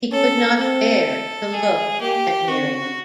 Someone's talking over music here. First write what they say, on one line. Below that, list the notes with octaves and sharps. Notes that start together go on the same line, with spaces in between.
He could not bear to look at Miriam.
C#4 A4
C4 A4
G#4
A#3 G4
C4 F#4